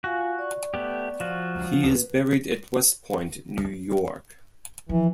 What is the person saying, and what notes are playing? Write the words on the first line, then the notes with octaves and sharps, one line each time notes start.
He is buried at West Point, New York.
F4 F#4 F5 G#5
D5 C#6
A3 B3 G4
F3 F4 F#4
B4
E3 F3